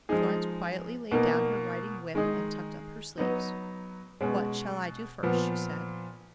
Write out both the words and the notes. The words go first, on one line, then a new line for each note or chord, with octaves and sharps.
Florence quietly laid down her riding whip and tucked up her sleeves. "What shall I do first?" she said.
F3 G#3 D#4 G#4
B2 A#3 D#4 A#4
D#3 G#3 D#4 G#4
F#3 B3 D#4
B2 G#3 C#4
A#2 F3 B3